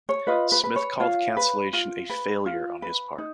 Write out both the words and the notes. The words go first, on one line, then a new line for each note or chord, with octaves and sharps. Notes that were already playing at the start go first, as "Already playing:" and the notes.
Smith called the cancellation a "failure" on his part.
C#5
F4 B4 D#5
B4
B4
C#5
F4 C#5 F5
B4
F4
B4
F4
B4
D#4